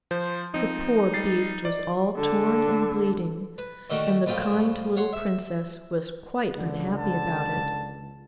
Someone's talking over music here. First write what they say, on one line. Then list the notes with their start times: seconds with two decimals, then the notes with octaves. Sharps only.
The poor beast was all torn and bleeding, and the kind little Princess was quite unhappy about it.
0.11 F3 C5
0.54 F3 C4 D#4
1.14 G3 A6 C7
1.65 D5
2.17 D3
3.58 B4
3.90 D3 D#3 A3 F#4
4.26 C2 A2 F3 G5
4.97 C#5 F#5 C6 C#6
5.13 E5
6.57 C#2 D3
6.99 A5